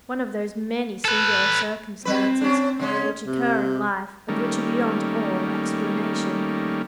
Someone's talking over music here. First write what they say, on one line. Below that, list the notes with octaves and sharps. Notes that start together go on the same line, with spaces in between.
"One of those many singular circumstances which occur in life, and which are beyond all explanation."
A4 B4
G3 C4 B4
C#4 D4
C#3 G#3 C#4
C3
D#3 G3 A3 A#3 C#4